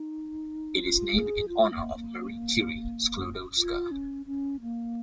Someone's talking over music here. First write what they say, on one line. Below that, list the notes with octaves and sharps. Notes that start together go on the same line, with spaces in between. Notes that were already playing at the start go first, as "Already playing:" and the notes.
It is named in honour of Marie Curie-Sklodowska.
Already playing: D#4
F4
G#4
F4
A#3
A#3
F4
C#4
C#4
A#3